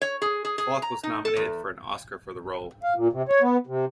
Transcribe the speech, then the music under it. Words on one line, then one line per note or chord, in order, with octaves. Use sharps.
Falk was nominated for an Oscar for the role.
C#5
G#4
G#4
G#4
A#5
D#4
A4
E2
F5
A#2
C3
C#5
B3
C3